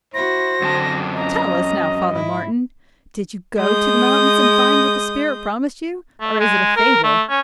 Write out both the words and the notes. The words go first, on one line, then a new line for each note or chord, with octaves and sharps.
'Tell us now, Father Martin, did you go to the mountain and find what the spirit promised you; or is it a fable?'
E4 F#4 C5 A#6
F#2 D3 C4 A5
C#4 D#5 A#5
G#2 E4
G#3 D#6 G6
A3
G#3
A#4
A3
C#4